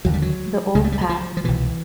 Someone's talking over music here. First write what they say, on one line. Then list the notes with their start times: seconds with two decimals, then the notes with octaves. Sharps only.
The old path.
0.05 D#2 D3 F#3
0.14 G3
0.22 F#3
0.75 C#2 C#3 G#3
0.84 A3
0.92 G3
1.01 F#3
1.09 F3
1.37 F3
1.44 C2 B2 E3